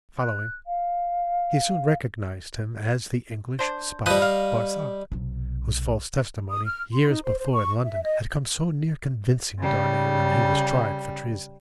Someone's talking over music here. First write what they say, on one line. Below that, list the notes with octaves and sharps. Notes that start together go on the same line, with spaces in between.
Following, he soon recognized him as the English spy, Barsad, whose false testimony, years before in London, had come so near convicting Darnay when he was tried for treason.
F#6
F5
D4 C5
F3 G3 B4 D#5
F5
B1 C3
D#6
F6
C6
D#4
C5
C5
C#6
E5
D#5
C#3 G3